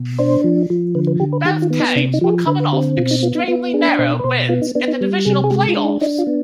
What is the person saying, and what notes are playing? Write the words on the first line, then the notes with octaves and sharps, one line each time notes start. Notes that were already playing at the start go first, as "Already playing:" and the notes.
Both teams were coming off extremely narrow wins in the divisional playoffs.
Already playing: B2
D4 C5
F3
F3
D3 B4
B4
D3 G4
B4
D#3 G4
F4
B3
D#4
C3 D4
D#4
F3 G4
G#4
D3 B4
B4
C4 G4
B2 F4
D#4
B3 F4
D#4
B3 F4
D4 G#4
B2 C5
B4
B2 C5
B3 F4
D#4
B3 D4
D#4
G3
C3 G#4
G#4
G#3 G4
F4
D4
D#4
D4 D#4
F4
B3